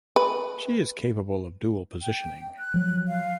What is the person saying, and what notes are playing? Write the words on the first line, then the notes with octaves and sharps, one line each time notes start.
She is capable of "dual positioning".
B4
G5
F#6
F3 F#3
F5